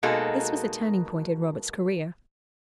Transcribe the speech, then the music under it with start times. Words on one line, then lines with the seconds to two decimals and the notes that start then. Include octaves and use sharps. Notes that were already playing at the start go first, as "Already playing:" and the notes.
This was a turning point in Roberts' career.
0.03 B2 G#3 A#3 D#4 F#4 A4